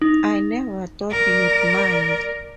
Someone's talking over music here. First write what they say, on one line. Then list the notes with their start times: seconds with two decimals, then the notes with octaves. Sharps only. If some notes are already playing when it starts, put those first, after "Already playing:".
I never thought you’d mind.
0.02 D#4
1.11 A#4 D5